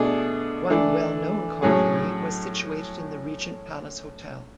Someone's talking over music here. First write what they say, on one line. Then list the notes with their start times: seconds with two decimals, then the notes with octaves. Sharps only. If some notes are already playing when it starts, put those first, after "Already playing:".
One well known carvery was situated in the Regent Palace Hotel.
Already playing: B2 A3 D4 G#4
0.70 E3 A3 D4
1.62 A2 F#3 C#4 G#4